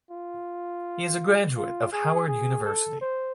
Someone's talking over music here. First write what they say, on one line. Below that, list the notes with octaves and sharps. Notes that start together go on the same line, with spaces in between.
He is a graduate of Howard University.
F4
F4
G#4
G#4
A4
C5